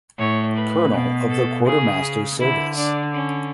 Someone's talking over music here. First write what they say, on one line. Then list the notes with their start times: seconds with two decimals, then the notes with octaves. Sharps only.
Colonel of the quartermaster service.
0.18 A2 C#5
0.55 B4
0.92 B2
1.30 A4
1.65 C#3 G#4
2.40 D3 E4
2.77 D4
3.14 C#4